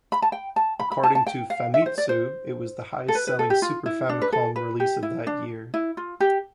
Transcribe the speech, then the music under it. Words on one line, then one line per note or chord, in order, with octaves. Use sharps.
According to "Famitsu", it was the highest-selling Super Famicom release of that year.
B5
A5
G5
A5
B5
B5
A5
A5
G5
F5
E5
C5
D5
C5
A4
B4
B4
A4
G4
F4
E4
D4
B4
A4
B4
G4
E4
D4
E4
F4
G4